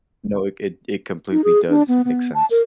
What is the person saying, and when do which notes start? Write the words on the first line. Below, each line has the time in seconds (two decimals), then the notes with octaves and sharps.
No, it it it completely does make sense.
1.32 D#4
1.44 G#4
1.69 D4
1.88 B3
2.05 B3
2.34 A5
2.51 A#4